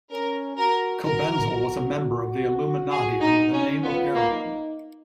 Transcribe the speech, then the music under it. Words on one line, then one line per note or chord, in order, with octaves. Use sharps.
Cobenzl was a member of the Illuminati under the name of Arrian.
C#4 A#4
F#4 A#4
F#4 A#4
F#4
F#4
G#4
D#4
C#4
B3 F4
A#3
D#4